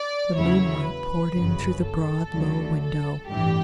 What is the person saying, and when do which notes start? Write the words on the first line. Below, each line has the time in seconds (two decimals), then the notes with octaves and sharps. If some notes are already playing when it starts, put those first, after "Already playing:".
The moonlight poured in through the broad, low window.
Already playing: D5
0.36 E2 C#3 F#3 A3 E4 C#5
0.85 B4
1.34 G1 F#2 C#3
1.83 A4
2.32 D2 D3 F#3 A3
2.81 A4
3.29 A1 G2 E3 G4